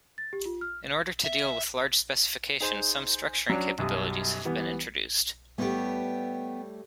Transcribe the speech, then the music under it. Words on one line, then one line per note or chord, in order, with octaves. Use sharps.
In order to deal with large specifications some structuring capabilities have been introduced.
A6
G4
F4
F6
E5
D#4 G#4 C5 G#5
F#3 C#4 D4
B1 F#2 G3 D#6
E3 G3 B3
A2 G3 A3 B3 G4